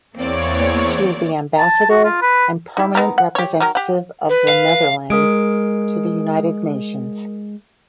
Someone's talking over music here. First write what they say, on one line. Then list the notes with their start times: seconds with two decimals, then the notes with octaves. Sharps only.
She is the Ambassador and Permanent Representative of The Netherlands to the United Nations.
0.16 E2 A#3 C4 C#5 D5
1.59 A5
1.90 F#4
2.04 F4
2.22 B4
2.77 D#4 E4
2.95 B3 D#4 A#4
3.18 F#5
3.35 G4 C#5
3.60 D#3 F#3 A#4
3.75 G4 F#5
4.29 B4
4.48 F5
5.10 G#3 A#4 D#6 D7